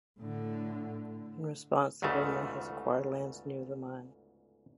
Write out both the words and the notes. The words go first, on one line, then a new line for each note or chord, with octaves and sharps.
In response the government has acquired lands near the mine.
A2 D3
G1 D2 G#2 C#3 A3